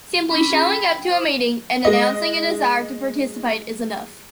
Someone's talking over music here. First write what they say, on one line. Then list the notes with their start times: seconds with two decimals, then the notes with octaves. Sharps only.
Simply showing up to a meeting and announcing a desire to participate is enough.
0.31 C#4 D4 E4 B5
0.47 C#4 F4 G#4
0.69 G5
1.10 C5 D6 D#6
1.85 G#3 D#5